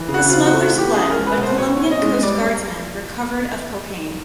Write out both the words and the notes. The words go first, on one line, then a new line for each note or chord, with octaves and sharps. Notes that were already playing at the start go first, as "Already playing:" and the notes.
The smugglers fled, but Colombian Coast Guardsmen recovered of cocaine.
Already playing: E3
C#3
F#4
C4 F4
F#4
A3
F#4
E3 G4
C#4 G#4
A#4
G#3
B4
B2
C5
B2 C#5
C#4
D#5
G#3
G3 D5